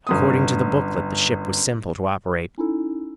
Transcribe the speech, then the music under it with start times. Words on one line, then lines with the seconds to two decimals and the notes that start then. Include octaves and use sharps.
According to the booklet, the ship was simple to operate.
0.07 G1 F#2 D#6
2.58 C#4 D#4 E4 A4